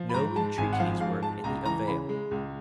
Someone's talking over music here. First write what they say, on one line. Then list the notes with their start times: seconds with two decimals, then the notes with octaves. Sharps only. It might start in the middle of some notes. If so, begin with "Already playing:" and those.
No entreaties were of any avail.
Already playing: F3
0.09 B5
0.14 G#2 A#5
0.36 G#3 A5
0.58 G#1 G#5
0.73 F#5
0.79 F3 F5
1.00 G#2 F5
1.22 G#3 A5
1.44 C#2 A#5
1.65 E3 A#5
1.87 C#3 B5
2.09 G#3
2.31 C#2